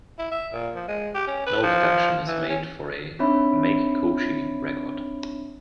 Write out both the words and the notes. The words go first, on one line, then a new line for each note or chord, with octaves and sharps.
No deduction is made for a "make-koshi" record.
E4
E5
A#2
F3
G#3
G4
C#4
B4
F3
E3
C#4
C4 D4 D#4 C#5 E5 B5